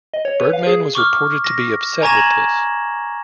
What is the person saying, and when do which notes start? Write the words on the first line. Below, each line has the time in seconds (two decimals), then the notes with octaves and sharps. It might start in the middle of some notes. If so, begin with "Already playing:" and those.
Birdman was reported to be upset with this.
0.14 D#5
0.25 C#5
0.40 B4
0.53 F5
0.67 G#4
0.95 C#6 D6 F6
1.44 A#6
2.02 G#5 A#5 C#6 G#6 A#6 E7
2.17 F#7